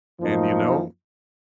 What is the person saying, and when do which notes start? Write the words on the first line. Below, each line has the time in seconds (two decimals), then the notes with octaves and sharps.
and, you know,
0.19 F#2 F3 A#3 D#4